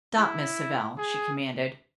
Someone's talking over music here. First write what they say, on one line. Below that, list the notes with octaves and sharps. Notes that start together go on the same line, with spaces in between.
"Stop, Miss Savell," she commanded.
E4
G#4